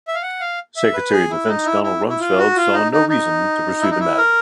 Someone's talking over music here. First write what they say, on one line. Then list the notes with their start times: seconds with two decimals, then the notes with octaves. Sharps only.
Secretary of Defense Donald Rumsfeld saw no reason to pursue the matter.
0.08 E5
0.15 F5
0.22 F#5
0.40 F5
0.76 E5
0.94 B4
1.12 G#4
1.31 E4
1.48 D#4
1.65 E4
1.84 E4
2.09 E4
2.20 F4
2.38 F#4
2.56 F4
2.73 D#4
2.92 D#4
3.09 D#4
3.81 E4
3.90 D#4
3.99 E4
4.18 A#4